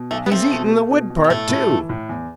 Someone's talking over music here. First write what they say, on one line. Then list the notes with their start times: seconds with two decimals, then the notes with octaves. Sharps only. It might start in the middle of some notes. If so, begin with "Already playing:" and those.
He's eatin' the wood part, too!
Already playing: B2
0.11 B1 A3
0.26 B3
0.31 A3 C4
0.51 B2
0.70 A3
0.91 B2
1.10 B2
1.24 G3
1.30 A2 A3
1.49 A2
1.69 E3
1.89 A2
2.09 E2